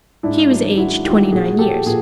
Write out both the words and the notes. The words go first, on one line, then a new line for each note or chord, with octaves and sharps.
She was aged twenty-nine years.
G#2 D4 E4
D#3 F#3
G#2 E4 F#4
D#3 F#3 F4 G4
A#2 F#4 G#4
F3 G4 A4
A#2 G#4